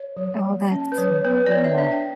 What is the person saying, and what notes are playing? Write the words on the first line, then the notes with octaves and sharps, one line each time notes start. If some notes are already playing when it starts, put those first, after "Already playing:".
Oh, that's so cool.
Already playing: C#5
F#3
A#3
C#4
B4
F#3 C#5
B3 B4
D5
B3 C#5
E5
D4 E5
G5